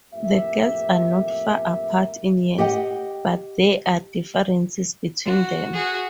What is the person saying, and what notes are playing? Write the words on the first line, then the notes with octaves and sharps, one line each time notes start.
The girls are not far apart in years, but there are differences between them.
F2 A2 A#3 G4 E5
G4 D#5 F#5 G5
F#4
F#4 G#4